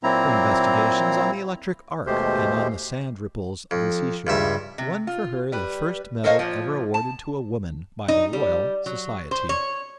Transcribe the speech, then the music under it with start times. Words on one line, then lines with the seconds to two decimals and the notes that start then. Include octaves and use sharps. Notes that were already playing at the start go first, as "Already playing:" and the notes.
Her investigations on the electric arc and on the sand ripples of the seashore won for her the first medal ever awarded to a woman by the Royal Society.
0.03 A#2 F#3 A#3 C4 E4 A#5
2.07 D#2 B2 G#3 A3 G4 C5
3.71 F2
4.27 C#2 G2 E5
4.78 C3
5.07 F4
5.52 G3 B4
6.24 A4 A#4 C5 C#5 D#5 F5
6.39 A#2 F3
6.94 A5
8.08 D#4
8.33 G3
8.86 F#3
9.31 C5
9.49 C#5